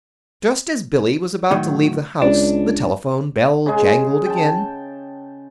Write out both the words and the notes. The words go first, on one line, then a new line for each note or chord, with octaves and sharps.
Just as Billy was about to leave the house the telephone bell jangled again.
A2 D#3 F#3
C#2 D4
C#3 G#3
G5 A5